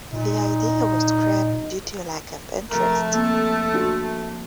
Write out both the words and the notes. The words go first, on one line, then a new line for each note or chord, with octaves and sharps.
The idea was scrapped due to lack of interest.
A#2 D#4
C3 F3 A3 A#4
A#3 C4 F4 A4
D4 F#4 C5